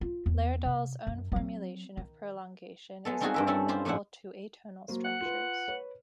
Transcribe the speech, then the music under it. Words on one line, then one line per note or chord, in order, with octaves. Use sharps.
Lerdahl's own formulation of prolongation is more amenable to atonal structures.
F4
E2
C3
F#2
F#3 C4
D#3
G#3 B3 A4
G3 C4 D#4 F4 F#4 G#4
G2 A#4 E5
G3 C4 C#4 E4 A4
E4 F4 G4 C5
A2 F3 C#4 D4 E4 F#5
F#3 A#3 C5
F#5
F4 B4
B4 C#5